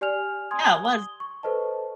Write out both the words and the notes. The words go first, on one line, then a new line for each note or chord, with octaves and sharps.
Yeah, it was.
G4 D5 G#5 F6 F7
G#5 C6 D#6 G#6
D#6 G7
C#6
A4 B4 C5 D#5 A5